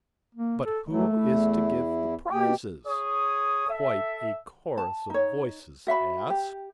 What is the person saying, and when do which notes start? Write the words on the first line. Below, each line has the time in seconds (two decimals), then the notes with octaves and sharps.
'But who is to give the prizes?' quite a chorus of voices asked.
0.35 A#3
0.64 A4
0.88 F#2 E3 F#3 A3
1.16 E2 E4
2.31 B2 A#3 G4 G5
2.86 G#4 C#5 D#6
3.68 A4 E5
4.77 A5
5.10 D#4 C#5
5.87 F#4 E5 F5 B5
6.30 G4